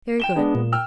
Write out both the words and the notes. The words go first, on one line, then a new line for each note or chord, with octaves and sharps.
"Very good."
G5 E7 G7
G#3 B3 D4
A#2
G5 E6 F6